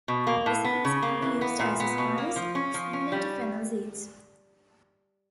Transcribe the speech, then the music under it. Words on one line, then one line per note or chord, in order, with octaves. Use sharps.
The seeds can be used as a spice, similar to fennel seeds.
B2
A#3
A2
B3
C#3
A#3
E3
B3
A#2
B3
B2
A#3
F3
C#4
F3
C#4
G3